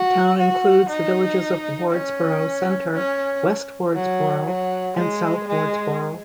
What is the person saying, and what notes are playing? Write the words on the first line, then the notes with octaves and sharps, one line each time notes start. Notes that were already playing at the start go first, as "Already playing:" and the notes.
The town includes the villages of Wardsboro Center, West Wardsboro and South Wardsboro.
Already playing: F#4
F#4
D#4
C#4
C#4
F#3
F#3
G#3
G#3